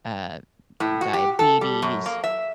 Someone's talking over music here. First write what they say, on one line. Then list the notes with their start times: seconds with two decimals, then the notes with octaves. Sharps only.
uh, d diabetes.
0.80 A2
1.01 F#4
1.14 G4
1.39 A4
1.61 G3
1.82 F#2
2.06 A#3
2.24 E5